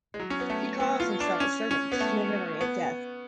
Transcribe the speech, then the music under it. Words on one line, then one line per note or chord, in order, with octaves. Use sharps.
He calls himself a servant to a memory of death.
G#3
F#3
C#4
B3
A3
B3
F4
D4
C#4
C#4
B3
A3
B3